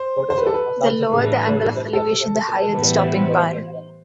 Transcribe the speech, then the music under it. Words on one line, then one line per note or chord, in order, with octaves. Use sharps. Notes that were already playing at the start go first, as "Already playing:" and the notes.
The lower the angle of elevation, the higher the stopping power.
Already playing: C5
C5
B4
A4
B4
A2 E3 G3 D4
A4
A2 E3 G3 B3 E4 B4
C5